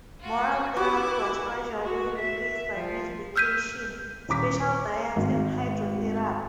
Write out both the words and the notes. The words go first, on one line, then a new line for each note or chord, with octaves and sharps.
Moral therapy was gradually replaced by medication, special diets and hydrotherapy.
F4 F#4
E4 F#4 G4 B4 D6
F#4
E5
F3
E6 F6 G6 B6 D#7
D#1 C#4 A#5 D6 B6
G#1